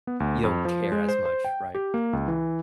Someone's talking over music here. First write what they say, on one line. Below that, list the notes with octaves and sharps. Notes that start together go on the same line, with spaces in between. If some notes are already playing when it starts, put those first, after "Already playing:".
you don't care as much, right?
B3
D2
F2
F3
G#3
C5
C5
G5
G4
A#3
C#2
E3